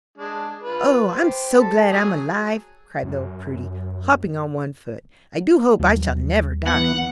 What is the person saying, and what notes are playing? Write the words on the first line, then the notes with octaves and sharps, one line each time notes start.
"O, I'm so glad I'm alive!" cried little Prudy, hoping on one foot; "I do hope I shall never die!"
G#3 D4
F4 B4
G4 C5
A4
F#3 G#4
F#2
D#2 F#3 G3
E3 B3 F#5